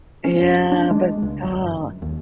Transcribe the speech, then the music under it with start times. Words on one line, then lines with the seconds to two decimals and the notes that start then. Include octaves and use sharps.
Yeah, but, aw
0.24 C#4
0.42 F1
0.72 D4
0.91 G#3
1.22 C#2
1.43 G1
1.61 F#2
2.02 D#2